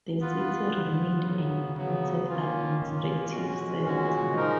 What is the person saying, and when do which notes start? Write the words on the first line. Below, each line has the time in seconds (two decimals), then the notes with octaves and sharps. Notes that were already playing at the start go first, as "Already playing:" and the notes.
The city remained an important administrative centre.
0.20 B3 F4 B4
0.72 B3 F4 B4
1.24 C#3 F#3 B3
1.75 C#3 F#3 B3
2.27 D#3 A#3 C#4 F4
2.79 D#3 A#3 C#4 F4
3.31 A#2 G#3 C#4 F#4
3.83 A#2 G#3 C#4 F#4
4.34 F3 G#3 D#4 A#4